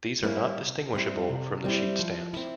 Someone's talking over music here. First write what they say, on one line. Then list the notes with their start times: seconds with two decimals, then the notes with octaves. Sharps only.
These are not distinguishable from the sheet stamps.
0.23 G3 A#3 C#4 E4
0.58 C3
0.93 G3 C4 E4
1.29 C3
1.65 G3 C4 E4
1.99 F3
2.34 C4 E4